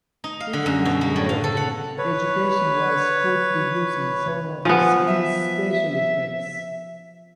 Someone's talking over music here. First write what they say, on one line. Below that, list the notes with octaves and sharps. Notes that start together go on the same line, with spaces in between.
His engineering education was put to use in some of the series' special effects.
D#4
F5
D3
F#2
B2
A#3
A2
F5
A4
F#5
B4 C#5
F3 B3 G#5
E5